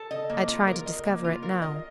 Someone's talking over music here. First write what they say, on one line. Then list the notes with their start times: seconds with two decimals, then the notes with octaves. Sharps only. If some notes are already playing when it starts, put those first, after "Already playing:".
I tried to discover it now.
Already playing: A4
0.11 D#5
0.30 A#3
0.49 F4
0.68 A#4
0.86 D#5
1.05 A#3
1.24 F4
1.43 A#4
1.62 D#5